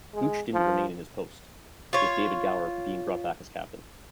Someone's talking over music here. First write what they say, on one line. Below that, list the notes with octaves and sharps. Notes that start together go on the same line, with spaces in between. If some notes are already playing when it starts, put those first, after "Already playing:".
Gooch didn't remain in his post, with David Gower being brought back as captain.
G#3
F3
F4 C#5